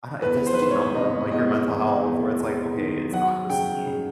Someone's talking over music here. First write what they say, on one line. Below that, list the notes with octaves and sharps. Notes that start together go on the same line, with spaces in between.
I don't it does such a number on, like, your mental health where it's like, "Okay, it's not just me. It's
E2 B4
C5
B4
D#3 C5
C#5
C3 D#5
E2 D#5
E2
E2
E2
D#3
F#3 F#5
C#3 G5
C#3